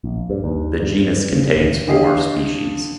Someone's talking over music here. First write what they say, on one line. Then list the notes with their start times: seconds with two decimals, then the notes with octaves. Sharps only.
The genus contains four species.
0.04 A#1
0.30 G2
0.44 D#2
0.80 G2
1.33 C#3
1.56 D1
1.88 D3 G4 D#5 F5 C7